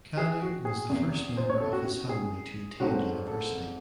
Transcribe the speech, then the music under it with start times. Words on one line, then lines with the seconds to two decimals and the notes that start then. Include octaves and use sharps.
Kanu was the first member of his family to attend university.
0.17 G#4
0.42 F#4
0.65 G#4
0.89 F#1 E2 C3
1.37 C5
1.50 C#5
1.60 A4
1.73 F#4
1.85 F#4
2.09 G#4
2.80 G#1 G#2 F#3 A3 C4 F#4
3.28 A4